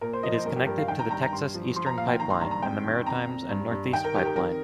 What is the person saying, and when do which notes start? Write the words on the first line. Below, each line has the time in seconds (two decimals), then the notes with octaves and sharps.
It is connected to the Texas Eastern Pipeline and the Maritimes and Northeast Pipeline.
0.01 A#2 A#4
0.13 C5
0.23 F3 D#5
0.34 C5
0.45 G2 A#4
0.56 G4
0.67 G2 A#4
0.78 F5
0.88 D#3 G5
0.99 A#5
1.10 G2 A#5
1.22 A#5
1.32 G2 C6
1.54 F3
1.76 F3 C6
1.86 A#5
1.98 A#2 F5
2.08 G5
2.19 D#3 A#5
2.30 C6
2.41 G2 A#5
2.51 A#5
2.63 F2 G5
2.85 D#3
3.06 F2 A#5
3.28 F2
3.49 G2
3.71 G2
3.92 D#3 G5
4.04 A#4
4.15 D#3 G4
4.25 A#4
4.36 F2 A#4